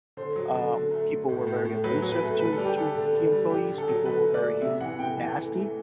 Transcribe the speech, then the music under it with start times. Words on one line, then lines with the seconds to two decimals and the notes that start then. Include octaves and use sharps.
um, people were very abusive to to the employees, people were very nasty,
0.17 D3 C5
0.36 F#3
0.54 D3
0.73 D3
0.91 A3
1.10 D3
1.29 A2
1.47 A2
1.65 A2
1.84 F#3 B4
2.02 F#3
2.12 B4
2.21 A3
2.39 D3 B4
2.52 A4
2.58 G3
2.65 G4
2.77 D3 A4
2.95 D3
3.14 D3
3.32 G3
3.50 D3 G4
3.69 D3
3.78 A4
3.88 F#3
4.05 D3 B4
4.24 A3
4.34 D5
4.43 A3
4.61 C3 E5
4.80 E3 F#5
4.99 C3 G5
5.18 E3
5.35 A3
5.54 A3